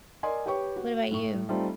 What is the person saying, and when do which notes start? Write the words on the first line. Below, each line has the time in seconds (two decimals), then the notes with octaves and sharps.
What about you?
0.23 A#4 D5 D#5 G#5 C6
0.46 G4 B4 C#5 G5 C#6
0.76 F#4
1.11 A2 C#6
1.49 G3 A3 C4 D#4 F4